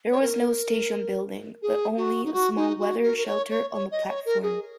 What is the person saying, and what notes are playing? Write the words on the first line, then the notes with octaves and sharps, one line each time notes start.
There was no station building, but only a small weather shelter on the platform.
C#5
A#4
G#4
F#4
D#4
F#4
D#4
F#4
A#4
A#4
C#5
C#5
C#5
D#5
C#5
A#4
G#4